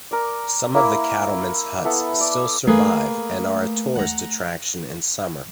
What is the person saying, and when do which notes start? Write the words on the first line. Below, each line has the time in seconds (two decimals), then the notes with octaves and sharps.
Some of the cattlemen's huts still survive and are a tourist attraction in summer.
0.11 A#4 D5
0.74 A#3 E4 A#4
1.85 B3 E4 A4
2.20 D5
2.67 A3 A#3 G#4 B4
3.96 F#5 A#5